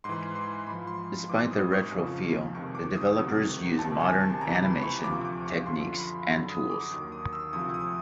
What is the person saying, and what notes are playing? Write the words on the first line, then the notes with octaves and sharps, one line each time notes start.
Despite the retro feel, the developers used modern animation techniques and tools.
G#2 E3 C6
C6
G#2 F3 B5
C6
G#2 E3 D6
D#6
C#6
F2 C#3 F3
C#2 C3 D#3 C#6
D6
D#6
C#2 C3 D#3 F#3
C#2 C3 D#3 A5
G#5
A5
C#2 C3 E3 A#5
B5
C#6
D2 C3 F3 D6
D6
C#6
F#2 D3 F3 C6
B5
F#2 D3 F#3 B5
D#6
D6
D#2 D#3 F#3 D6
D#6
E6
D2 C3 F3 D#6
D#6